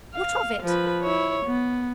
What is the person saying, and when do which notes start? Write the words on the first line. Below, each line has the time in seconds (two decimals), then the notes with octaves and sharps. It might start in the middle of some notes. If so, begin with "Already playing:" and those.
"What of it?"
0.14 F5
0.63 F3 B4
1.03 E4 C#5
1.46 B3